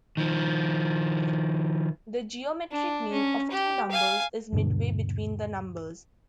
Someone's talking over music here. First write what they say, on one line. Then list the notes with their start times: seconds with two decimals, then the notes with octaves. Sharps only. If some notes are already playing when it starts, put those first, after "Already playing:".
The geometric mean of two numbers is midway between the numbers.
0.17 D#3 F3
2.72 D4
3.12 C#4
3.51 G4
3.91 F5 G#5
4.52 D#1 G2 B2 D3